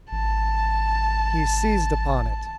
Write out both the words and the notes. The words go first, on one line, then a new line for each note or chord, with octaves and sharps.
He seized upon it.
G#1 A5